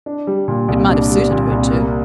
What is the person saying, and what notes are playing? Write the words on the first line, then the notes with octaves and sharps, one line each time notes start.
It might have suited her too.
D4
G3
A#2
C2
D4
G3
A#2
C2
A#3